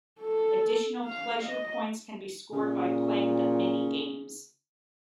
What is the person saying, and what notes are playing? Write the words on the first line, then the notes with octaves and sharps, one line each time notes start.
Additional pleasure points can be scored by playing the minigames.
A4
F5
D#5
A#2 C#3